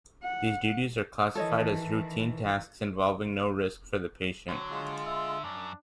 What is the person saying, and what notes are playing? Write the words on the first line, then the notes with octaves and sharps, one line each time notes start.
These duties are classified as routine tasks involving no risk for the patient.
F#5
D#3 E3 A4 C#5 D#5
D3 F#3 C4
G#3 F4
E5
F#2 D4